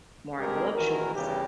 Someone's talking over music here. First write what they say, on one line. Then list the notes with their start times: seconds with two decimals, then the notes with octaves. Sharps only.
more voluptuous,
0.39 C3 G3 G#3 D4 G4 A#4
0.74 D#3 E3 F#4 A#4
1.14 E2 G2 C#3 G4